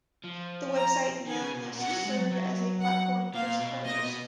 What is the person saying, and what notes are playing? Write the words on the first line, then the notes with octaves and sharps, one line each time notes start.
The website and mailing list serve as a platform for supporters.
F3
A#5
D#3 G#5
C#3
B2
A#2
B2 F#5
F#3
G#3
F#3
F#3
F#5
A#2 F5
B2
A#2 D#5
B2